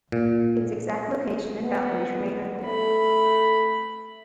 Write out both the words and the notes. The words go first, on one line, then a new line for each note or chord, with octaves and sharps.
Its exact location and boundaries remain unclear.
A#2
B3
A3 B5